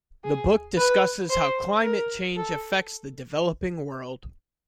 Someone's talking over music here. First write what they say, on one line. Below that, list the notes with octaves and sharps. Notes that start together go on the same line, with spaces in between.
The book discusses how climate change affects the developing world.
G#4
B4
C5
A#4
A4